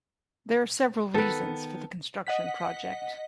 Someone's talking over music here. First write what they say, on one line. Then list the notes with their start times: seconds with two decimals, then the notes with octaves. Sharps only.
There are several reasons for the construction project.
1.14 D#3 B3 A4 B4
2.27 D#5 F#5 B6